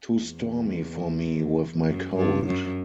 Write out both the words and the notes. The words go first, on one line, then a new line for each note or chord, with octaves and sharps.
Too stormy for me with my cold.
E2
F#2
G2
F#2